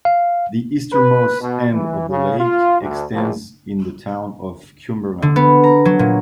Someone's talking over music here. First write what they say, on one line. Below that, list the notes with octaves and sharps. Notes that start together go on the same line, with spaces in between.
The easternmost end of the lake extends into the town of Cumberland.
F5
B4
B2
E3
C#3
F4
D2
A#1
D3
B3
A#5
F#3
A#2